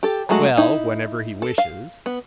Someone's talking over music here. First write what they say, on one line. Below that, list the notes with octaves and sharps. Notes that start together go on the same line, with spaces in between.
"Well, whenever he wishes?"
G4 A4
F#3 G#3 A3 F#4
D#4 E4
A4
F5
B3